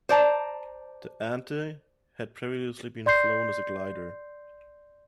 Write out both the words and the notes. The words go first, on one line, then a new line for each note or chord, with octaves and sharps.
The Ente had previously been flown as a glider.
C5 D5 A5 A#5
D5 C6 G6 C7